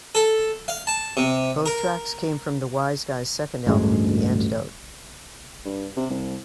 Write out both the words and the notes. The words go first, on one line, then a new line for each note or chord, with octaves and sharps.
Both tracks came from The Wiseguys second album, "The Antidote".
A4
F5
A5
C3
A#4
A1 D2 G2 G#3
G2
C3
C2